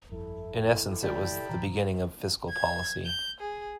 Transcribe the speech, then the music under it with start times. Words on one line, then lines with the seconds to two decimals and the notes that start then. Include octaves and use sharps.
In essence, it was the beginning of fiscal policy.
0.12 G1 F2 E4 A4
1.02 C#3 E3 G#3 G4 D5 G5 A5 B5
1.49 A#2 D#3 F3 A#5
2.49 G#6
3.05 G6
3.40 G#4